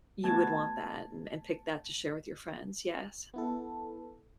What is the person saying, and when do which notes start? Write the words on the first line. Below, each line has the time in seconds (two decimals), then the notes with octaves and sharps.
you would want that and and pick that to share with your friends, yes.
0.24 A3 B3 F#4 A5 G#6 A6
3.34 B3 E4 A4